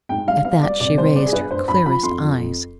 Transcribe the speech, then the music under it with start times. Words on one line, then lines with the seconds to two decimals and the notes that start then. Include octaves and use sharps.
At that she raised her clearest eyes.
0.09 G#2 G5
0.27 G3 F5
0.45 B3 F5
0.62 G3 D5
0.80 C3 D5
0.98 G3 C5
1.16 B3 D5
1.26 G#4
1.33 G2 B4
1.51 G2 C5
1.68 G2 B5
1.85 F3 B5
2.03 F2 C6
2.21 F3
2.38 F2